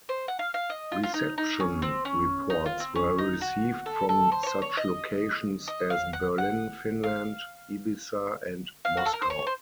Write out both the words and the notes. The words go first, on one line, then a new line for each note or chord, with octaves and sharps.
Reception reports were received from such locations as Berlin, Finland, Ibiza, and Moscow.
C5
F#5
F5
F5
D#5
F4
F4
D#4
D#4
C#4
C4
C#4
D#4
F4
C4
C#4
D#4
F#4
A4
A4
C5
C#5
C5
C#5
D#5
D#5
F5
F#5
F#5
F5
F5
F#4
A4
A#4
C5
C#5
C5